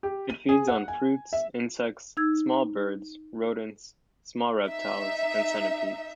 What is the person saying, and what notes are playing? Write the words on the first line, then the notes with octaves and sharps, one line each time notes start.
It feeds on fruits, insects, small birds, rodents, small reptiles and centipedes.
G4
D#7
G#4
F#5
G#5
E5
D#4 E6 G#6
D#4 E5